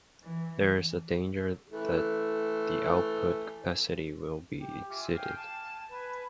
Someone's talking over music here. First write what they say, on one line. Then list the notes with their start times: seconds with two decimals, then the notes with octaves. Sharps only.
There is a danger that the output capacity will be exceeded.
0.23 E3
1.71 E3 A3
4.57 G4
4.89 F4 E5 G#5 D6
5.14 F5 G5 G#5 F6
5.35 G#5 A5
5.89 B4 G#5